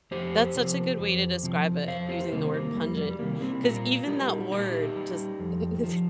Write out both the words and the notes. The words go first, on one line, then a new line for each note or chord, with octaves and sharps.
That's such a good way to describe it, using the word pungent, 'cause even that word just n
F2 G4 C5
C3 F3
F2
C3 F3
F2 C5 F5
G4 C5
C3 D#3 G3 A#3
A#3
F2 G3
G3
C3 D#3 G3 A#3
G3 C4
A#2 F4 A#4
G3 D#4 G4
A#2 D#4 G4
G3
F2
F3